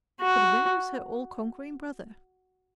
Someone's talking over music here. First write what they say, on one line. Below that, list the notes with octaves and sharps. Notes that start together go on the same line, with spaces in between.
But where is her all-conquering brother?
F#4